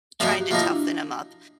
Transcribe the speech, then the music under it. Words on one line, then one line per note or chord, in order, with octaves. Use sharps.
trying to toughen him up.
A2 F3 A#3 D#4 F#4
G4
F#4
A2 F3 A#3 D#4 F4
E4
D4